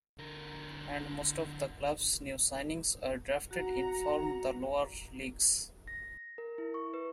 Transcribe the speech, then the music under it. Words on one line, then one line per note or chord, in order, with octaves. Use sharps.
And most of the club's new signings were drafted in from the lower leagues.
D3 A#4
F#4 F#5 A#5
A#6
A#4
E4
C#6
B4